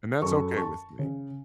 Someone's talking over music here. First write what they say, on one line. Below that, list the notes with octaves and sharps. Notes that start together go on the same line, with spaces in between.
and that's okay with me.
F#2 A4 C#6
A5 C#6
C#3